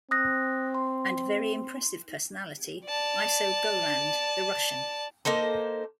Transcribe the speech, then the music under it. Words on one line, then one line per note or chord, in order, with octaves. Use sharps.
And a very impressive personality: Iso Golland, the Russian.
C4 D#6 F#6 A#6
C6
D5 A5
A#3 D#4 A4 C5